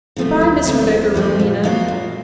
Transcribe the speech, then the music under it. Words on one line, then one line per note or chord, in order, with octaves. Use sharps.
Good-by Miss Rebecca Rowena!
C3 F3 A3 C4
D2
C3 F3 A3 C4
D2
C3 F3 A3 C4
A#2
F#3 B3 D4 F4
A#2